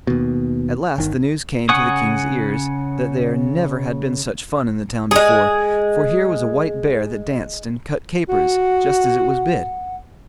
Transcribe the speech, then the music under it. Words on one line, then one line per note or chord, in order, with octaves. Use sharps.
At last the news came to the king's ears, that there never had been such fun in the town before, for here was a white bear that danced and cut capers just as it was bid.
D#2 B2
G1 D#3
C#3 F#5 G#5 C#6 D#6
G#3 G#4
F#4 F#5